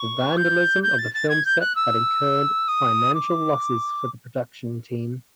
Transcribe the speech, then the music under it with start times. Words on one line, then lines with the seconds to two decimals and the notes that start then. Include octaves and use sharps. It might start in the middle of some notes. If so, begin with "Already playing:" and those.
The vandalism of the film set had incurred financial losses for the production team.
Already playing: C#6
0.37 G6
0.83 G6
0.98 A6
1.14 A6
1.29 G#6
1.45 G6
1.60 F#6
1.75 E6
2.68 D#6
3.14 D6